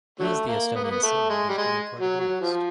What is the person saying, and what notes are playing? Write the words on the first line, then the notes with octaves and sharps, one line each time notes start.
He is the Estonian singer who has been recorded the most.
D3 F#3 A3
A#3
B3
A#3
B3
A3
G#3
G3
G#3
F#3
F#3
F3